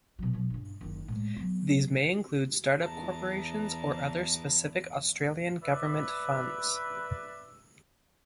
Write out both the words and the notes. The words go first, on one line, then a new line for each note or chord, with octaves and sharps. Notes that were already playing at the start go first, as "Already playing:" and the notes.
These may include start-up corporations or other specific Australian government funds.
B2 F#3
B2 F#3
G2 C#3
F#1 D#3
A2 G#3
F#3 B3
E2 A5 A#5
B4 D5 E5